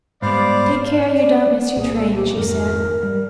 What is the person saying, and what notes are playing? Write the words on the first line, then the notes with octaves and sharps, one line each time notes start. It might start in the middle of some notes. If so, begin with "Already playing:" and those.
"Take care you don't miss your train," she said.
G#2 G3 B3 C5 D5 F5 B5
D5
C2 A#2 A#3 G#4
A4
G4
F2 G#2 D#3 A#4
G3